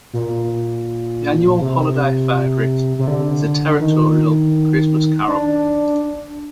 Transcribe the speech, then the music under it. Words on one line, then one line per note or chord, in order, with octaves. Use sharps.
The annual holiday favorite is A Territorial Christmas Carol.
A#2
C3
C3
D3
D#3
D4